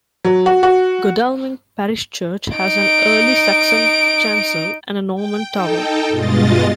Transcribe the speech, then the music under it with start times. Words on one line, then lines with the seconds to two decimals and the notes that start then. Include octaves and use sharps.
Godalming Parish Church has an early Saxon chancel and a Norman tower.
0.25 F#3
0.46 F#4
0.63 F#4
2.57 D#4 D7
5.14 G5
5.51 D#4 A4 G5
6.09 G2 B2 G#3 F4 D#5 A6